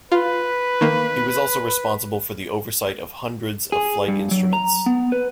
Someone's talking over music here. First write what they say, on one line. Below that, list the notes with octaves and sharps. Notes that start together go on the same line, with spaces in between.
He was also responsible for the oversight of hundreds of flight instruments.
F4 B4
D#3 A#3
G#4
G2
F#3
A#5
B3
B4